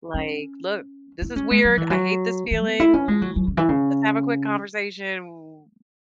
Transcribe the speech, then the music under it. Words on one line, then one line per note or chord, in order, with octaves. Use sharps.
like, "Look, this is weird, I hate this feeling, L let's have a quick conversation. W
C#4
E4
C#4
G#3
F#3
E3
F#3
E3
B3
E4
C#4
G#3
F#3
F#3
C#3
E3
C#3